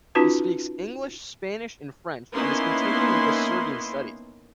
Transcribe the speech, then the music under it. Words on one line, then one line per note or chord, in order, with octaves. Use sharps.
He speaks English, Spanish and French, and is continuing with his Serbian studies.
C#4 D#4 F4 F#4 B4 A5
A#3 B3 C#4 D#4 E4 C6